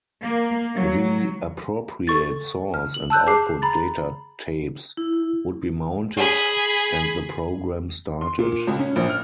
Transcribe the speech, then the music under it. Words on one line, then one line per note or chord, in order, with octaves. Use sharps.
The appropriate source and output data tapes would be mounted and the program started.
A#3
F#3
A4 C#6 A6
F6
F#7
A5 E6 F#6 G6
G#4 A5 D6 C7
A#5 B5 A6
E4
G#4 B5
C6
A#2
C#2
C#4
A#1
F6